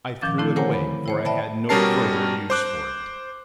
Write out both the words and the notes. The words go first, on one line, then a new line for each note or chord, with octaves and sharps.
"I threw it away, for I had no further use for it."
A#2 D#3 F3 C#4 D6 A6
D3 A3 C4 E4 G6
A#4 C5 C#5 F#5 G#5 A#5
B5
E4 C5 C#5
C5 D5 E5 G5 A5 B5
B2 G3 C#4 A#4 A5 C7
C5 D6 F#6